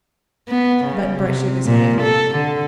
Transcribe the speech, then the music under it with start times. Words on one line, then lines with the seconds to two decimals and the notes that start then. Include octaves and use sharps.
Button-Bright shook his head.
0.48 B3
0.85 C#3
1.23 C3
1.66 A#2
2.02 A4
2.35 D3